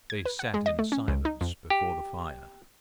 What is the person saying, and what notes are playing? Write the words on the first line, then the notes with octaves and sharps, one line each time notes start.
They sat in silence before the fire.
G#6
B4
F#5
G#3
D#5
A3
C#4
C#2
D#4
F2
G4